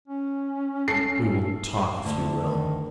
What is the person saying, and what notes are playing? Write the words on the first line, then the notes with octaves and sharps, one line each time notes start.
"We will talk, if you will."
C#4
A4 C7
D2
D#3